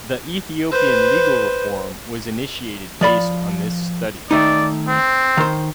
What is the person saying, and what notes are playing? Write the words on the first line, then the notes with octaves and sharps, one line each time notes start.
The Ethiopian legal reform was initiated based on this study.
B4 C5
F3 D5 B5
D#3 A3 D#4 D5
C4
D#3 C5